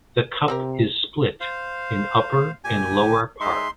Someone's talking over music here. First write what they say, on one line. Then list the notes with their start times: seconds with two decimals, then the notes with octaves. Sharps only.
The Cup is split in upper and lower part.
0.48 C3 C4 G4 A#4
1.40 C5 F5
2.64 A#2 G4 G#5
3.40 G#3 D#4 E5 C6